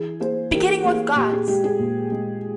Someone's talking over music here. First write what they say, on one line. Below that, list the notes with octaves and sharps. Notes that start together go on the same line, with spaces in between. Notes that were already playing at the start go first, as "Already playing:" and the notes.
Beginning with Guards!
Already playing: E3 G#4
A#3 G#4 C5
E3 G4 A#4
A#3 G#4
A#2 G4
G#4
G#3 G4
G#4
A#2
G#3